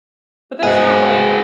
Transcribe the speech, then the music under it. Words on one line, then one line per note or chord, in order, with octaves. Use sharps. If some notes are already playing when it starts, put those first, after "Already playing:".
But, that's not like
G#2 B3 F#4 G#4